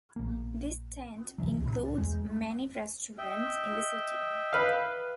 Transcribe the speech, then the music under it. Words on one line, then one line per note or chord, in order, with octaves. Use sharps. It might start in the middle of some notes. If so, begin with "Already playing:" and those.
This tent includes many restaurants in the city.
A#1 A#3
C#2 C3 E3 F#3
C#2 A#2
E2 G#3
D#5 E5 G5
B4 F5